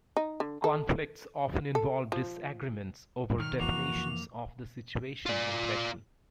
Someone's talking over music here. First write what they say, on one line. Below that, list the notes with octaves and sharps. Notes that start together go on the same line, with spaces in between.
Conflicts often involve disagreements over definitions of the situation in question.
D#4
D3
A4
A4
F3
B1 D#3 F6
F2 E3 A#3 F#4 F7
F4 D5